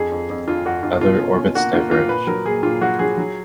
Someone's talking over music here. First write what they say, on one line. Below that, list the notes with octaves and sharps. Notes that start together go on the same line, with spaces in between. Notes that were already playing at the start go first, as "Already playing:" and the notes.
Other orbits diverge.
Already playing: F2 G#4
F2
F2
F2 F4
F2 F#4
F2 F4
B2 F4
C#4
C#4
A#3 F#4
A#3 F4
A#3 F4
A#2 B4
F#3 A#4
A#2 G#4
A#2 F4
F#3 F#4
F#3 G#4
F#3